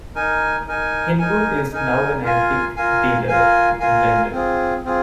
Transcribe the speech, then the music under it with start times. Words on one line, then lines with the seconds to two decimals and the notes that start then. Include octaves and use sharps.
Hinwood is now an antiques dealer in London.
0.15 D#4 A#4 G#5
0.67 D#4 A#4 G#5
1.19 D#4 A#4 G#5
1.71 D#4 A#4 G#5
2.23 F4 A#4 F5 G#5
2.76 F4 A#4 F5 G#5
3.28 F4 A#4 F5 G#5
3.80 F4 A#4 F5 G#5
4.32 C4 F4 G#4
4.84 C4 F4 G#4